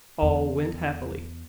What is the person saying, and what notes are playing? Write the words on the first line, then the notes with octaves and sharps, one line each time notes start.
All went happily.
E2